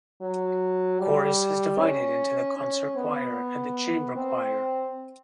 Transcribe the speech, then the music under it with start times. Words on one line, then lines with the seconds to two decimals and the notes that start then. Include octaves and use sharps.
Chorus is divided into the concert choir and the chamber choir.
0.22 F#3
0.99 G3
1.79 C#4
2.58 C#4
2.97 B3
4.16 C4